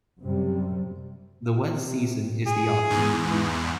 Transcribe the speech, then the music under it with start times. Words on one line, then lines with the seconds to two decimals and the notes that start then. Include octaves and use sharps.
The wettest season is the autumn.
0.21 F#2 C3 G3
1.56 C3
2.46 G#4
2.90 E2 G#2
3.27 E3